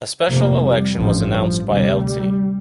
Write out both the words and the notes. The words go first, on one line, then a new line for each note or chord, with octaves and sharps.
A special election was announced by Lt.
F1 F2 C3 A#3
G3
A1 G2 F3
F3
D2 C3 G3